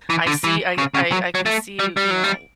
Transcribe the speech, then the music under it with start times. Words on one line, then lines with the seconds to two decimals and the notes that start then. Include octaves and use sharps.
I see I I I can see, you know,
0.10 E3
0.27 D3
0.44 E3
0.78 C#3
0.94 C#3
1.12 F#3
1.35 F#3
1.46 A3
1.79 G3
1.97 G3
2.11 F#3
2.24 G3